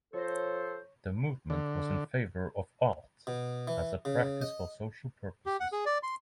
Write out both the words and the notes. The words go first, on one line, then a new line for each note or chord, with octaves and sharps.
The movement was in favour of art as a practice for social purposes.
F3 A4 C5 C#5 A#6
D3
B2
E3
C#3
D#5
G4
F#5
G#4
D5
C6